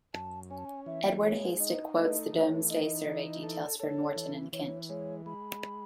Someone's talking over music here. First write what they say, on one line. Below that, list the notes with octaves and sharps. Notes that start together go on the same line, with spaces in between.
Edward Hasted quotes the Domesday Survey details for Norton in Kent.
F#2 A5
C#4 G#5
A5
G#5
E3 E5
G#3 C#5
D#4 D#5
A3 D#5
E3 C#5
D#4 D#5
E3
A4
A4 C#5
E3
E3 C#5
G#3 C#5
G#3 B5